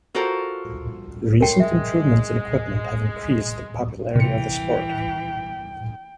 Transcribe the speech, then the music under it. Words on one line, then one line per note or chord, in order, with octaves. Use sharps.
Recent improvements in equipment have increased the popularity of the sport.
F4 F#4 A4 A#4 C5
A2 A#4 G5 C6
G#3 E5
C3 E3 G5 C#7